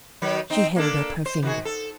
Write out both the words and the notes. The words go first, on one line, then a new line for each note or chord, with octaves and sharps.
She held up her finger.
D#3 F#3 B4
C4 D#4
A#3 D4 A4
C5
D#3 F#4 G#4
A4